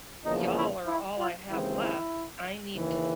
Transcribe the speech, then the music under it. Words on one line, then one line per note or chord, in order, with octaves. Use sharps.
y'all are all I have left. I need to
E2 C#3 F3 A#3 D#4
E4
E4
F4
D#2 C#3 E3 G#3 C4 E4
E4
D#2 C#3 E3